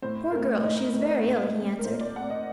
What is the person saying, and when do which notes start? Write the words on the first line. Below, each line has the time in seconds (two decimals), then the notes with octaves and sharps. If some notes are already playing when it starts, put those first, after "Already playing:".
"Poor girl, she is very ill," he answered.
0.02 A2 C5
0.32 A3 C4 A#4
0.63 A2 D#4
0.94 A3 C4
1.24 A#2
1.54 A3 C4
1.79 A#4
1.84 A#2 C5
2.01 D5
2.15 A3 C4 F#5
2.30 D#5